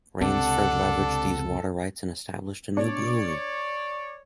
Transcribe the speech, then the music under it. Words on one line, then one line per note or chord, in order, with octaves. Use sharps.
Rainsford leveraged these water rights and established a new brewery.
C#2 C3 C4 D4 A4 F#5
B2 D4 C#5 D5